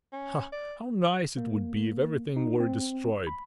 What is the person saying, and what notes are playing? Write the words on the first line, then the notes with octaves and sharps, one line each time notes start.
Ah, how nice it would be if everything were destroyed!
C#4
D5
A#3
D#4
C4
B5